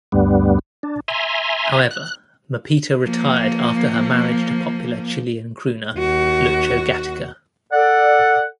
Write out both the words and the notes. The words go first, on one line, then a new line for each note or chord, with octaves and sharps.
However, Mapita retired after her marriage to popular Chilean crooner Lucho Gatica.
D2 G2 G3 B3
D4
E5 G#5 A#5 C6
F#6
F3 A#3
D#2 F#4
A4 D5 F#5